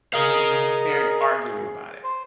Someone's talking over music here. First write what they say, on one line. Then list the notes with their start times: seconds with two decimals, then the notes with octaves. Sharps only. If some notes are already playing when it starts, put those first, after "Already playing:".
they're d arguing about it.
0.14 G#4 A#4 D#5 F5
2.03 C5